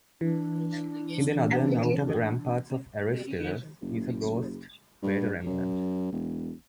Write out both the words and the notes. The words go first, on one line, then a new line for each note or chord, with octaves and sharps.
In the northern outer ramparts of Aristillus is a ghost crater remnant.
E3 D4
F#1
G2
F#2
E1